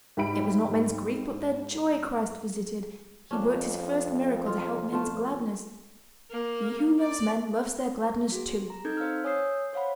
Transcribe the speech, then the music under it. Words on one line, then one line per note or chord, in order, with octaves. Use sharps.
It was not men's grief, but their joy Christ visited, He worked His first miracle to help men's gladness.... 'He who loves men loves their gladness, too' ...
G#2 G4 E5 B5 D7
F2 C#4 D4
F4
A3 F4
A#3
D5
F#4 G#4
A#5
C4 D#4 A4 G6 G#6
C5 F5 E6 F6
C#5 G#5 D#6 E6 G6 C7
C5 C#5 F5 F#5 B5